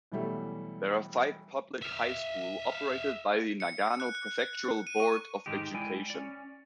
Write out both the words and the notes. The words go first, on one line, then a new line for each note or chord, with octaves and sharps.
There are five public high school operated by the Nagano Prefectural Board of Education.
B2 E3 F#3 G3 A3
E5 F5
C#7
F#6
F#6
F#6
D#7
C#6
G#2 D#3 G#3 D#4 G4
G#3 E4 D5 G5 G#5
C#4 D5